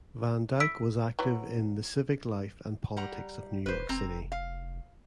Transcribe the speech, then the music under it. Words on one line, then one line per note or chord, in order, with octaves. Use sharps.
Van Dyck was active in the civic life and politics of New York City.
E4 E6 B6 D7
E3 F#3 B3
G3 F#5 A#5
E1 B4 C5
F1 C4 A#5
F5